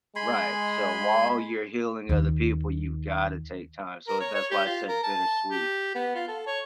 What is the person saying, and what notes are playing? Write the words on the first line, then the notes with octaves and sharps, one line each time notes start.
Right. So while you're healing other people, you've gotta take time. So that's why I said bittersweet
G#3 G#5 B5 C6
D#2 D#3
A#4
C#5
C#5
G4
F4
A#4
A5
G4
B3
F4
A4
C#5